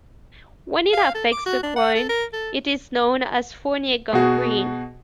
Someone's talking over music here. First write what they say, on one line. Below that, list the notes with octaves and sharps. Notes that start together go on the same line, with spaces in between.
When it affects the groin it is known as Fournier gangrene.
F5
A4
D6
F#4
D4
F#5
A4
A#4
A4
B2 F#4 G#4